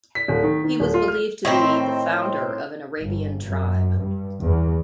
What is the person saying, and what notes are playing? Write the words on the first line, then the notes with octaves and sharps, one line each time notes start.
He was believed to be the founder of an Arabian tribe.
B6
D1
D#3
D#3
D1
F4
F6
A2 D#3 C4
G1
F#2
G2
E2